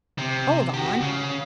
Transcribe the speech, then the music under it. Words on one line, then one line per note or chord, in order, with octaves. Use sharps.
Hold on!
C3
F#4 G4
C#3